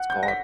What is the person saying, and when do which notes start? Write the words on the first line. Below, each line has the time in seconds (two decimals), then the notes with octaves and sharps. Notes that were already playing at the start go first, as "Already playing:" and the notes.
It's called,
Already playing: F#5 F#6
0.10 G6
0.23 A#6
0.28 B6